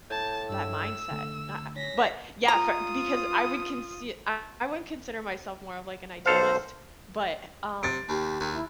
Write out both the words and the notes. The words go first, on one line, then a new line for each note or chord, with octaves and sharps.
that mindset, a ah, but yeah, for because I would consi I wouldn't consider myself more of like an idealist, but um,
A2 A5 G6 G#6
G2 E6
D3 A3
C#4 A#6 B6
F4 A#5 D#6
B1 A4 C5 F5
C3 A6 D7
D#2 G4
D#2
E4